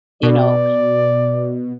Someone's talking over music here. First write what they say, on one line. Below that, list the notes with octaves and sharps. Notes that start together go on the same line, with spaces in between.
You know,
B2 D5